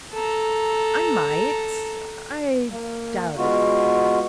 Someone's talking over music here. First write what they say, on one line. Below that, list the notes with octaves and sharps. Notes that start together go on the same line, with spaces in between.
'I might--I--doubt it.
A4 A#5
A#3
G#3 B3 F4 F#4